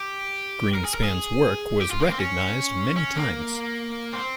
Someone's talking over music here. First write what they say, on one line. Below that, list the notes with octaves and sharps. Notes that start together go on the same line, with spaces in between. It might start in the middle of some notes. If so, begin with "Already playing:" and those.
Greenspan's work was recognized many times.
Already playing: G4
A#4
G#4
A#4
G#4
G4
F4
A#3
C4
C#4
C#4
A#3
C4